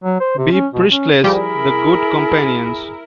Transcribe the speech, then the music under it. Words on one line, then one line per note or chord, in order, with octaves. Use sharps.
B. Priestley's "The Good Companions".
F#3
C5
C3
C#4
B2
C#4
F3 G3 E4 G4 G#4 A#4 B5